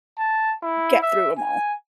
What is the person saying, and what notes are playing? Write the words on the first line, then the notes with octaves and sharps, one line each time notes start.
get through ‘em all.
A5
E4
E5
G#5